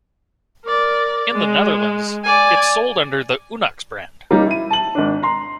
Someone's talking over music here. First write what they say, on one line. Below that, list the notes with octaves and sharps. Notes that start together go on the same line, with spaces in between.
In the Netherlands it is sold under the Unox brand.
A#4 D5
G#3
D5 G#5
G3 A#3 C#4 D#4
E4 D#7
A5 F#7
G#1 D4
A#5 C6